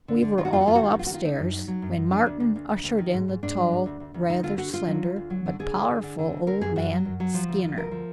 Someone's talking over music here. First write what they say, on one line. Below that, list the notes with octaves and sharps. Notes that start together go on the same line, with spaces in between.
We were all upstairs when Martin ushered in the tall, rather slender, but powerful old man, Skinner.
D3
D3
D#3 F4
F#4
F2 F4
F#4
F2 F4
F#4
D#3 F4
F#4
F2 F4
F#4
D#3 F4
D3 D#4
F#2
F#3
F#3
F#2
F#2
F3 D4
D2
D2
D2
D2
D2
D#3
G#2
G#2
G#2 D4
F#3
G#2
D2
D2
D2
D2 D#4
D3 F4
D3 F#4
D3 F4
F#3
D2
D2
F#3
D3
D3 G#4
D3
D3
D3
D3
D2
D3 A#4
F#2 G#4
F#2 F#4
F#3
F#2
F#3
F3
D2
F3
D2 A#4
F3